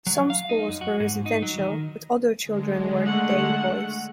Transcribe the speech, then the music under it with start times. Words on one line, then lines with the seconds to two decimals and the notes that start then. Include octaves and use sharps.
Some schools were residential but other children were 'day-boys'.
0.07 F#3
0.30 F5
0.49 D#4
0.68 F#2
0.81 F#4
1.00 G#2
1.26 D#4
1.42 F#3
1.58 D#3
2.40 D3 G#3
3.06 A3 F#5